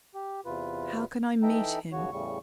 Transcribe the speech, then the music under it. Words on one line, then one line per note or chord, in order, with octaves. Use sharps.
How can I meet him?
G4
E2 C3 F4 B4
E3 D#4 A4 E5 G5 A#5
D#2 C#3 F#4 C#5
E2 A2 C#3 G3 C#6